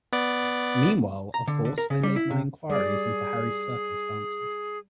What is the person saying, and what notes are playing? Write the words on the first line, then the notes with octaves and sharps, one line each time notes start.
Meanwhile, of course, I made my inquiries into Harry's circumstances.
B3 D5
A#5
D3
D3
A#4
C#3
G3
E4
C3
G3 G#4 D5